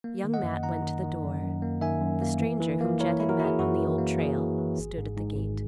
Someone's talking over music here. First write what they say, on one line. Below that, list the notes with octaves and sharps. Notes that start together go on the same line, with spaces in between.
Young Matt went to the door. The stranger, whom Jed had met on the Old Trail, stood at the gate.
A#3
D#3
D#5 F#5
F#2
D#3 F#5 A#5
D#3
D#3
F#2
F#2
A#3
D#3 E5 G#5
F#2
A#3
E3
E3
A#3
E4 A#4 C#5
E4
F#4 A#4
E4 G#4
F#2 F#4
E3
A#3
A#3 G#4
E3
E3
G#1
G#2
G#2
G#1